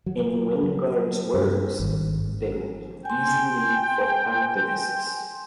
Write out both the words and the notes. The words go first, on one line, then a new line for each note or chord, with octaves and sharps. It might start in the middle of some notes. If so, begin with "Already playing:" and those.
In Wingard's words, They will be easy meat for activists.
F#3
F#3
G2
G#1
G5 G#5 C6